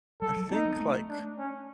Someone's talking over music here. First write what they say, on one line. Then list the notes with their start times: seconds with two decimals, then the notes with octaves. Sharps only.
I think, like,
0.22 G3 A4
0.36 F#3
0.50 C4 D#4
0.65 B3
0.76 G#3
0.80 A3
1.09 D4
1.38 C#4